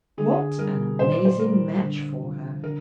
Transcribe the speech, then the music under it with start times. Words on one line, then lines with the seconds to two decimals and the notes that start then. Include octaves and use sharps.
What an amazing match for her!
0.17 D3 G#4
0.58 G3 A#4
0.99 A#2 C5
1.12 D5
1.25 C5
1.40 G3 A#4
1.81 D3
2.22 F3
2.63 D3 A#4